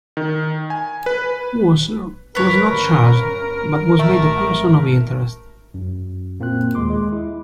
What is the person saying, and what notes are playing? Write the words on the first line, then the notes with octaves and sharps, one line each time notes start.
Wasser was not charged but was made a person of interest.
D#3
G#5
B4
G1 C#4 A#4 B4 C#5
A1 G#2 A3
F#2
A#2 A#3 C4 F4 F#6
D#2 G#3 C6 D6
G#3
E4